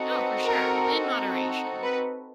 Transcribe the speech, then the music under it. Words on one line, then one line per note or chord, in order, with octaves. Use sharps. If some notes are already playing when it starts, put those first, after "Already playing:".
Oh, for sure, in moderation.
Already playing: C4 D#4 F#4 A4
B4
A#4
B4